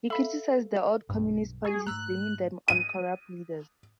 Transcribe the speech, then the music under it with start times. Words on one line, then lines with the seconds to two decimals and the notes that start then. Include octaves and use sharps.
He criticised the old communist policies, blaming them on corrupt leaders.
0.10 A4 E5 F5 B5
1.09 B1 G2
1.65 G#4 C#6
1.87 G#2 A3 A#5 E6 F#6
2.68 D#7